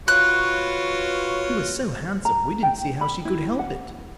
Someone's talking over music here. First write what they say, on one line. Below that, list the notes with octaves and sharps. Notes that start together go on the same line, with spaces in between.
He was so handsome, we didn't see how she could help it.
F4 F#4 B4 C#5 F#6
A#5
G5
B5
E4
F#5